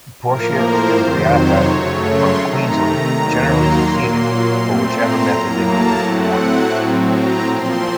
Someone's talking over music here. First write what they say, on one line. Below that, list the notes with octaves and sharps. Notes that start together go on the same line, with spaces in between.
"Portia fimbriata" from Queensland generally succeeded, for whichever method they were rewarded.
A2 F3 A#3 A#4
C5
F2 C3 D#3 F#3
C#5
F#2 C#3 F#3 A3
C6
C3 D#3 A3 A#5
A#5
D#2 D#3 F#3 A#3
C6
A#2 F#3 A#3
C6
A#2 A3 C4
A#5
A2 F#3 A#3
A5
A2 F#3 A3 C4 F#5
F#5
A2 F#3 C4
A#5
A#2 F3 C4 C6